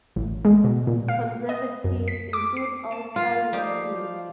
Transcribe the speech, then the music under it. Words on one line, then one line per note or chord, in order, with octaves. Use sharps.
Conservatives include Ulster Unionists.
A1
G#3
B2
A#2
F5
D#5
F#2
B6
D6
C7
A5
F4 F5
F3 G3 D#4 G4